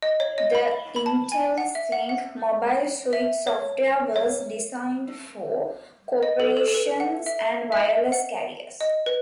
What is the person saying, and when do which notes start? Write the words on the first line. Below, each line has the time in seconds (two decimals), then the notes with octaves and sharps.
The Intellisync Mobile Suite software was designed for corporations and wireless carriers.
0.02 D#5
0.20 C#5
0.38 D#5
0.55 B5
0.96 B5
1.06 A5
1.32 G#5
1.58 F#5
1.75 E5
1.92 F#5
2.09 F#5
3.13 E5
3.47 C#5
4.16 C#5
6.23 D#5
6.40 A4
6.57 A4
6.68 A4
6.74 B4
7.00 F#5
7.26 E5
7.72 E5
7.77 D#5
8.12 F#5
8.81 D#5
9.06 B4